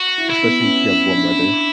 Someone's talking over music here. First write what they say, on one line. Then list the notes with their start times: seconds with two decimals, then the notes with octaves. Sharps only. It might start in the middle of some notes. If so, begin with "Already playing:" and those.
especially if you have warm weather,
Already playing: F#4
0.18 E4
0.30 E4
0.43 B3
0.61 C#4
0.67 B3
0.90 C#4
1.15 D4
1.40 D4